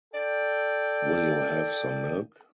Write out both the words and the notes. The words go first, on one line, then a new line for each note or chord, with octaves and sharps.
Will you have some milk?
A4 D5 G5